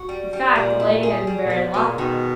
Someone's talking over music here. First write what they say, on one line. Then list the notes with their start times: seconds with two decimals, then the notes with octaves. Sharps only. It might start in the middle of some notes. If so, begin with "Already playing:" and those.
In fact, the lady had been buried alive.
Already playing: F#4
0.09 G3
0.33 G3
0.56 A#2 G3
0.80 E4
1.03 G#4
1.27 G3
1.45 A#2
1.50 B2 B3
1.74 B2 G#3
1.86 A#2
1.97 B2 D#3